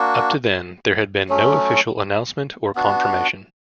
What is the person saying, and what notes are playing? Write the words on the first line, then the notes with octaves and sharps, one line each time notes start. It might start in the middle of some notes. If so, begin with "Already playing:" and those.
Up to then there had been no official announcement or confirmation.
Already playing: A#3 D4 F#4
F#3 A3 C#4
B3 D4 F#4